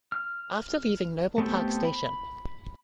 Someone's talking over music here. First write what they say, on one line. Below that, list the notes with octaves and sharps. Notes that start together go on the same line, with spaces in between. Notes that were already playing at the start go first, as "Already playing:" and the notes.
After leaving Noble Park Station.
F6
A3 B3 C4 G4 A4
B5